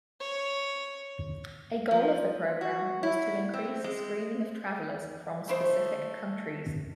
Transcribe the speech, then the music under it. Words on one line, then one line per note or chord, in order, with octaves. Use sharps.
A goal of the program was to increase screening of travelers from specific countries.
C#5
F3
F#4
E4
C4
G#3
A3 E4 C5 D#5